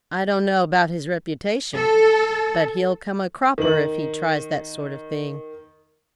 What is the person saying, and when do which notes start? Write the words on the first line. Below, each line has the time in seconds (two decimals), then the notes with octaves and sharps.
I don't know about his reputation, but he'll come a cropper if he tries that sort of thing.'
1.74 A4
3.58 D#3 F#7